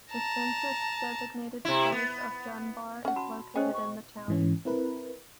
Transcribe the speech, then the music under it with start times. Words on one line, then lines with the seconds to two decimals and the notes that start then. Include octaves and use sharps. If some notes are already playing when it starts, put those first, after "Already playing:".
The census-designated place of Dunbar is located in the town.
0.12 A5 A#5
1.65 C3 E4
1.92 B3
3.05 C#4 F#5
3.16 F#4 A5 B5
3.56 C#4 G#4 C5 D#5 G5
3.74 C#6
4.28 G#2 E3 C#4
4.65 C4 E4 A#4 B4